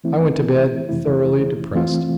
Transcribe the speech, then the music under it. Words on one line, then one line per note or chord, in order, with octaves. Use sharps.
I went to bed thoroughly depressed.
E3 A3 C4 E4
F2 C3 E3 A3 E4
E3 A3 C4 F4